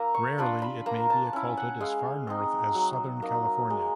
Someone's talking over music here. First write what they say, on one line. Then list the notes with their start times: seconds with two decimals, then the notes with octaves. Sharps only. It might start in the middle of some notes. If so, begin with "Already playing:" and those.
Rarely, it may be occulted as far north as southern California.
Already playing: A#3 E4 A#5
0.15 C#6
0.38 D4 F4 B5
0.62 B5
0.86 A#3 A#5
1.10 A5
1.33 C#4 E4
1.57 F#5
1.81 G#3 F5
2.27 C4 D#4
2.75 F#3
3.22 A#3 D#4
3.70 G#3